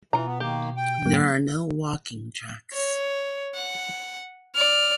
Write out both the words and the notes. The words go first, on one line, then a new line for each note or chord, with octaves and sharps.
There are no walking tracks.
B2 E3 F4 A#5
B3
D#3 A#3 G4
G5
G#2 F#3 A#3
C#5
F#5
D5 F6